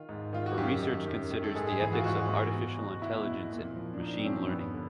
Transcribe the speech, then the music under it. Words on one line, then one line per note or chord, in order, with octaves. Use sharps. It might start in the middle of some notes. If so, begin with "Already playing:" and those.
Her research considers the ethics of artificial intelligence and machine learning.
Already playing: D#3 F4
G#2
D#3 F4
F#4
F#2 G4
D#3
F#2
D#3
A4
G#2 G#4
G#4
E3 G#4
F#4
F4
G#2 F#4
E3
E2
B2
E2 E4
B2
A#2
F3
D4
A#2 D#4
D4
C4
F3 C#4
C4
G2 B3
D3